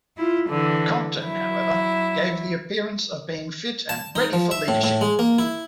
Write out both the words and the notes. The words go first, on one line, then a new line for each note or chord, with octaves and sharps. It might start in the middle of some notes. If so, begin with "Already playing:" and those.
Compton, however, gave the appearance of being fit and ready for leadership.
E4 F4
D3 E3
F#3 E4
A5
D#4
F3
E5
A2
A2
G#3
A#3
E4